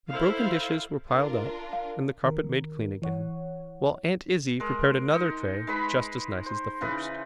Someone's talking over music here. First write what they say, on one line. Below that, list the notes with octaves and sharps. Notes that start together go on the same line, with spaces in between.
The broken dishes were piled up and the carpet made clean again, while Aunt Izzie prepared another tray just as nice as the first.
E4 A4 C5 F5
D4 F4 A#4
F5
D#3 A#4
E3 C#5 F#5
G#3 A#4
D#4
G#3 D#4 B4 B5
C5
C#3 E3 D#4 B4